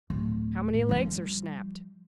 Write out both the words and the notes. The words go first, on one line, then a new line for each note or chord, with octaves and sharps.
"How many legs are snapped?"
D1
A2
F3 G3